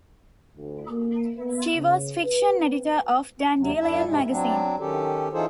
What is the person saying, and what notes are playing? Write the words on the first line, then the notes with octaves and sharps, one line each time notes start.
She was fiction editor of "Dandelion" magazine.
D2
A#3
B3
C#3
B4
C4
D#2 C3 F#3
F#2 D4 E4 E5
G#2 C3 G#3
F#3 C4 D4
D#3 C#4 G4 A4
E3 D#4 F4 G#4 A4 C5